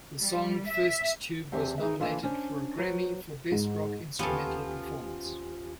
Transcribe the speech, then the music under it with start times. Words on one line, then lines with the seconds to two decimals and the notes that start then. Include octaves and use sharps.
The song "First Tube" was nominated for a Grammy for Best Rock Instrumental Performance.
0.22 G3
0.68 E5
1.52 E2 C4 G4 C5 E5 A5
1.78 D#4 G#4 B4 E5
2.00 E3 A#3 D4 F4 A4 B4
2.23 C#4 D4 C5
2.78 F#3 F#4 B4 C5
3.52 G#2
4.19 D#2 F3 B3 C#4 F4 G4 A4 G#5